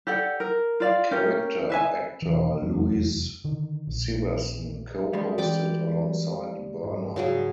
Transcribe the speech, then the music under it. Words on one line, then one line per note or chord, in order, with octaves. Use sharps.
Character actor Louise Siversen co-hosted alongside Berner.
G4 A4 D5 F#5
A#4
F4 D5 F5
C#4 G4 A#4
B4 E5 G#5
E1 E3
F1 E2 F#3 D4
D3 D#3
A#1
G3 G#3
E3 D5 G5 D6
G#2
G#2 C#3 F#3 G#4